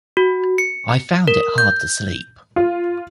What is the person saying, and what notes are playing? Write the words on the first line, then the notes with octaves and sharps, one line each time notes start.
I found it hard to sleep.
F#4
C#7
A#4
G6
F4